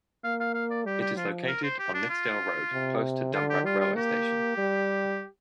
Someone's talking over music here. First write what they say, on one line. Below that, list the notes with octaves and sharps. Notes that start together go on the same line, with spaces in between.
It is located on Nithsdale Road, close to Dumbreck railway station.
A#3 F5
F5
F5
D5
G3 G4
G4
F3 F4
A#4
C5
G4
D4
F4
C3
D3 F4
G4
G3 F4
F4
A#3 G4
G3